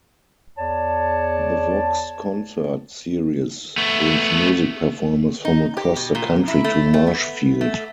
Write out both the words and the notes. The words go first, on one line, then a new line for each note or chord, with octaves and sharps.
The Vox Concert Series brings music performers from across the country to Marshfield.
E2 C#5 D5 A5
A3 B3
D#4
G4
B2
A#2
E4
A3
A3
B3
A3